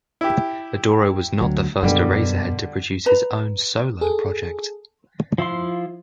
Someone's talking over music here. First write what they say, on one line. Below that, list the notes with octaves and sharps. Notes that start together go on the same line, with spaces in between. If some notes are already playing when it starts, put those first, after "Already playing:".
Adoro was not the first Eraserhead to produce his own solo project.
E4 G4
D2 F#3
F#2 B2 D3 G3
B4 A#5
G#4 A4
F3 E4 F4 C6